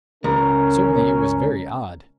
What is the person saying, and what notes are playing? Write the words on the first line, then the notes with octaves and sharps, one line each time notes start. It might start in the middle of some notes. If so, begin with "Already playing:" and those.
Certainly it was very odd.
C#2 C#4 A#4 A#5